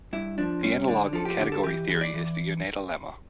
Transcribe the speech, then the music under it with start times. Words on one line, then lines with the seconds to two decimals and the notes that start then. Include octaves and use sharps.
The analogue in category theory is the Yoneda lemma.
0.13 G2 E4
0.38 F3 D4
0.63 G2 C#4
0.88 D3 D4
1.13 F3 A4
1.25 G4
1.39 D3
1.52 A4
1.64 E3 G4
1.88 E3
2.01 D5
2.14 E3